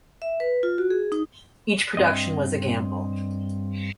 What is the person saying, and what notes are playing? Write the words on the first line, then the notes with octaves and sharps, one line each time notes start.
Each production was a gamble.
E5
B4
F4
F#4
G#4
D#4
G2 C4 D#5